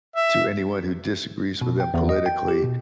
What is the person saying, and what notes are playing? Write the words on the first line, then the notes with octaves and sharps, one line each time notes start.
to anyone who disagrees with them politically,
E5
B2
G5
E2
D#5
G5
G4
B2